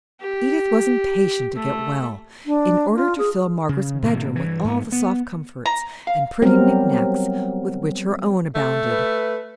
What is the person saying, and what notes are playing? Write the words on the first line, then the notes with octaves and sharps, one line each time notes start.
Edith was impatient to get well, in order to fill Margaret's bed-room with all the soft comforts, and pretty nick-knacks, with which her own abounded.
G4
A3
D4
F4
G#4
C#3
A2 C3 D#3 A#3
G2 E3
G#2 B3
B3
A#5
F5
F#3 G3 B3 C4 A#4
A3 A4
B4